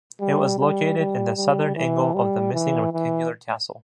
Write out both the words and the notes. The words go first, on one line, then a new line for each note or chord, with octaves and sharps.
It was located in the southern angle of the missing rectangular castle.
G3
G3
G3
G3
E3
G3
E3
E3